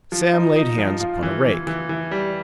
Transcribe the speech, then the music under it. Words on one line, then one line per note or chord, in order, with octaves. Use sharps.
Sam laid hands upon a rake.
F3
D#4
D#4
F3
F4
E3
E3
E3
E3
G3